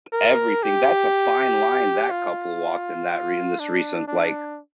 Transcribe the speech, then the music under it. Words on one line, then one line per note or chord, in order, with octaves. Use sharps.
everything. That's a fine line that couple walked in that re in this recent, like,
A#4
G4
F4
D4
D4